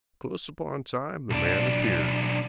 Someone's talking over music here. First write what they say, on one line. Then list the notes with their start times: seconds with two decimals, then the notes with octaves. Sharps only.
Close upon time the man appeared.
1.30 B1 D4